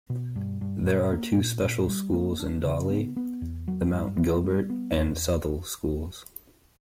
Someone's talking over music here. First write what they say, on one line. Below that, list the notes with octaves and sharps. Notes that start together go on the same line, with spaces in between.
There are two special schools in Dawley: the Mount Gilbert and Southall schools.
B2
G2
G2
A#2
A#3
A#2
A#2
G3
A#3
D4
C#3
B3
B3
E2
F#3
G2
B3
G3
B3
E2